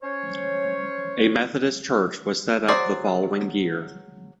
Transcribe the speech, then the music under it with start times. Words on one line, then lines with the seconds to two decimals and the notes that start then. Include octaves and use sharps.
A Methodist church was set up the following year.
0.03 C#4 C5 C#5
2.68 F#3 F#4 G#4 C5 D5